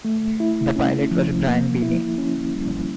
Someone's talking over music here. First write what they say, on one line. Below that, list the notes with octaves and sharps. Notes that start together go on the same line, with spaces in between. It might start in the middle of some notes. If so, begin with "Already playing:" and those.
The pilot was Brian Binnie.
A3
E4
C#4
F3
A#3
E4
C#4
G3